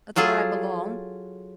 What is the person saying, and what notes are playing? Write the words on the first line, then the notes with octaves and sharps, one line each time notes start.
That's where I belong!
F#3 F4 G#4 A4